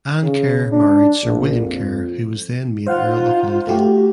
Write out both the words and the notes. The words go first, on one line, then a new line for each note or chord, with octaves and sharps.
Anne Kerr married Sir William Kerr who was then made Earl of Lothian.
C#3
D4
A#1
F2
D#4 F4 C5 F5 F#5
A3 F#4 G4